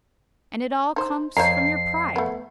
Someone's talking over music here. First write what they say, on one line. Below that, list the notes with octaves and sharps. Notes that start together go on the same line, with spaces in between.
And it all comes from your pride.
D#4 C5
F2 C5 C#5 A#5 C7
A3 B3